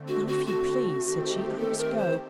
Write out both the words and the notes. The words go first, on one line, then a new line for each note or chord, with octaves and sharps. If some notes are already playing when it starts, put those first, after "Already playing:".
'Now, if you please,' said she, 'I must go.
Already playing: D3 A3 C4
F#4
F#4
F#4
D#3 A3 C4 G4
A4
A#4
C5